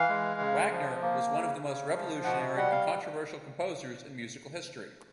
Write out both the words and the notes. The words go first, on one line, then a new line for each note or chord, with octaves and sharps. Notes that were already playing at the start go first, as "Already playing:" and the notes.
Wagner was one of the most revolutionary and controversial composers in musical history.
Already playing: E3 F5
G#3
C#3
F3
A#3
C#3
C#3
F3
B2 F#5
G3 F#5
F5